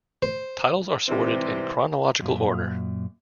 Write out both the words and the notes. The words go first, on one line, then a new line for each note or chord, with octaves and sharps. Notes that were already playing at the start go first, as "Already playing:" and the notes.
Titles are sorted in chronological order.
C5
G#2 C3 E3 G3 C4
F#2 A#2